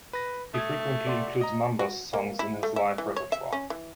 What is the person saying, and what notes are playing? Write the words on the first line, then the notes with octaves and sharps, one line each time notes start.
He frequently includes Mambas songs in his live repertoire.
B4 A#6
A3 D#6 G#6
D5 F#5 C6
D#5 A#5
F#4
A#3
E4
A3
E5
E3
C#5
E5
C#4
E3